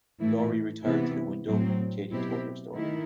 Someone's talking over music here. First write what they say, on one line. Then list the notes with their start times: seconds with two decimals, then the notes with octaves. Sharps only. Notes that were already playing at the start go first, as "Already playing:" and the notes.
Laurie retired to the window, and Katie told her story.
0.19 A2 E3 A3 E4
0.82 C3 E3 B3 E4
1.47 A2 F#3 C4
2.11 B2 F#3 C4 E4 G4
2.74 D#3 A3 E4